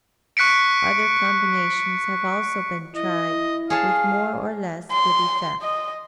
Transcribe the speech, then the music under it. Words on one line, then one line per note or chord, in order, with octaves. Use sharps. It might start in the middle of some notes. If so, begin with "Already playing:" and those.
Other combinations have also been tried, with more or less good effect.
C#6 F#6 B6 C#7 D7
E4 D#5
G#4 C#5 F5 A5
C6
D#5